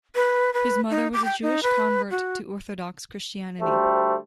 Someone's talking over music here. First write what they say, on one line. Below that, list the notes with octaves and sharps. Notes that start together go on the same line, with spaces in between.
His mother was a Jewish convert to Orthodox Christianity.
B4
B4
D#4
D6
G5
D#4
B4
F#4
D2 G3 A3 C5